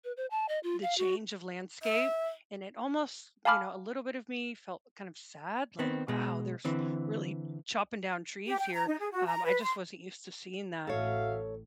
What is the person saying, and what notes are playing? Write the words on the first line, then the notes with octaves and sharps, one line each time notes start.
the change of landscape, and it almost you know, a little bit of me felt kind of sad, like, "Wow, they're s really chopping down trees here," um, I just wasn't used to seeing that.
B4
C5
A5
D#5
F4
F5
F#4
E5
F5 G#5 A5 B5 D6 F6
D#3 B3 C4
B2 G#3
D3 E3 C4
G4
G5
A#5
D#4
G#4
F#4
A#5
B4
C6
A1 F#4 A4 C#5 E5 F5